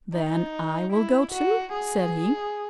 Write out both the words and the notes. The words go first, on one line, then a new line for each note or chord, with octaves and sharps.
"Then I will go too," said he.
D#4
E4
F#4
G#4